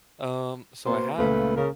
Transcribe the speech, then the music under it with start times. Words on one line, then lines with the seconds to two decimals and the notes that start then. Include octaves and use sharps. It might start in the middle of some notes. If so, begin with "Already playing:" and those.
um, so, I have
0.86 B2 A#3 B3 C5
1.18 C#2 A#2 C#3 A3 B4
1.57 C#3 A#4